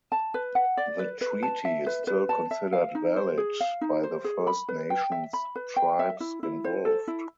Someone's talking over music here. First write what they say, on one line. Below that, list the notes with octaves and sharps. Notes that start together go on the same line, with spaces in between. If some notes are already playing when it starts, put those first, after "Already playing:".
The treaty is still considered valid by the First Nations tribes involved.
A5
B4
F#5
D5
B4
B4
A5
E5
B4
B4
A5
E5
F5
D#4
C5
G#4
F5
D#4
C5
G#4
B5
B4
G5
E5
B5
B4
G5
E5
E4
E4
C5
A4
E4